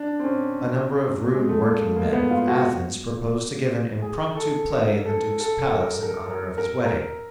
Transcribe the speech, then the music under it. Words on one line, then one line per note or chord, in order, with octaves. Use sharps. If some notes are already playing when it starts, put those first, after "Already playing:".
A number of rude workingmen of Athens propose to give an impromptu play in the Duke's palace in honor of his wedding.
Already playing: D4
C4
C#4
G#3
A3
A#3
A#3
B3
F4
F#4
G#4
A4
A#4
A4
A4
A#4
A#4
A#4
A#4
A#4